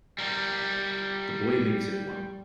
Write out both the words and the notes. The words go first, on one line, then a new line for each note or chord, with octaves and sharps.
The boy makes it one.
G3 A#4